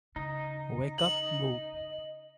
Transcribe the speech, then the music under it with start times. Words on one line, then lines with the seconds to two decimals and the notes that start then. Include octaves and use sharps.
Wake Up Boo!
0.16 C#3 D#4
0.98 D#5 F#7